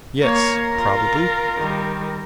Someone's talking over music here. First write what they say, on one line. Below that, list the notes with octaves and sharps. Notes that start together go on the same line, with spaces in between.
Yes, probably.
A#3 A#4 C#5 F5
F4 A#5
D#3 G3